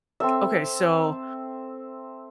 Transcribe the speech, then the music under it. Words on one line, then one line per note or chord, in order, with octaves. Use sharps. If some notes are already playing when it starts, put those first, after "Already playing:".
Okay, so
C4 A4 E5